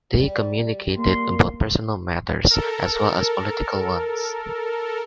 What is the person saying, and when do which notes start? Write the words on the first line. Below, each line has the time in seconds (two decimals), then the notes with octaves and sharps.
They communicated about personal matters, as well as political ones.
0.19 G3
0.97 A#3 C6
2.51 A4 A#4